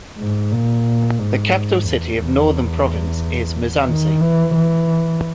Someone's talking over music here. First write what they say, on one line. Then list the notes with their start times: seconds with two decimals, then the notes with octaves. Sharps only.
The capital city of Northern Province is Musanze.
0.18 G#2
0.52 A#2
1.19 G#2
1.85 E2
2.20 E2
3.88 D#3
4.21 E3
4.55 E3